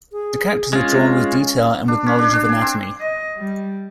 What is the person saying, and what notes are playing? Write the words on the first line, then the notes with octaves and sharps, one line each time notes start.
The characters are drawn with detail and with knowledge of anatomy.
G#4
G#3 C#4 F4
D4
C#4
D4
D4
G#5
C4
D#5
G3